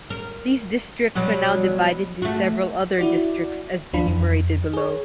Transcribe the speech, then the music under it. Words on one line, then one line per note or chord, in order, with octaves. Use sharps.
These districts are now divided into several other districts as enumerated below.
A#4
B2 F#3 G3
A3 F#4
E4 F#4 D5
D#2 D4 F4 B5
F2
G#4 C#5